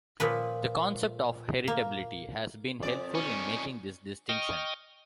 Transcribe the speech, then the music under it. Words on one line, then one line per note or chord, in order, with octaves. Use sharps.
The concept of heritability has been helpful in making this distinction.
A#2 F3 B4
A#3
F2 D5
D#3 C#4
D#5 G5 C#6 D#6 F6